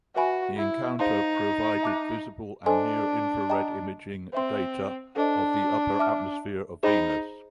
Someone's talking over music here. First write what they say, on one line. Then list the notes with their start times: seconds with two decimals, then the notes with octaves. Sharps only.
The encounter provided visible and near-infrared imaging data of the upper atmosphere of Venus.
0.15 F#4 B4 E5 G#5 B5
0.57 E4
0.99 D#4 G#4 C5 F5 A5 C6
1.83 E5 A5 D6 F#6
2.65 D4 A4 C5 D#5 G#5 C6
3.50 D#5 G5 A#5 D#6
4.33 C4 C5 E5 G5 C6
5.16 D4 A4 C5 D#5
5.99 E5 A5 D6 F6
6.83 D#4 G#4 C5 D#5 G5 B5